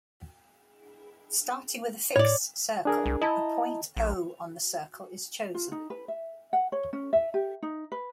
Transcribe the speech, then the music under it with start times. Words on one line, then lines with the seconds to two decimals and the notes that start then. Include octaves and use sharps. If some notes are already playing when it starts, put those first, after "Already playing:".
Starting with a fixed circle, a point O on the circle is chosen.
2.16 A2 C#5 D5
2.85 D4 G#4 A#4
3.06 C2
3.21 E4 D#5 A5 A#5
3.97 A#1
5.55 F4
5.72 D#4
5.90 B4
6.08 E5
6.53 F#5
6.72 C#5
6.93 C#4
7.13 E5
7.34 G4
7.62 D#4
7.92 B4